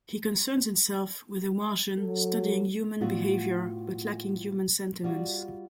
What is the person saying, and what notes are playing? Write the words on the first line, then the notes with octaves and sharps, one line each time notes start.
He concerns himself with a Martian, studying human behavior, but lacking human sentiments.
F#3 A4
A2 B3 F4 F#4 E5 F5
G3 F4 F#4